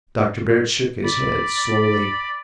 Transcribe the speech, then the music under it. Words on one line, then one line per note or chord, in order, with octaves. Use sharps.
Dr. Bird shook his head slowly.
D5 B5